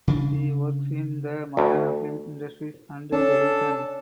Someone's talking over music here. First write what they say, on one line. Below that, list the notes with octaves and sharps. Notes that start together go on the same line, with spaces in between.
She works in the Malayalam film industry and television.
C#3 D4
D2
C#4 D4 A4 A5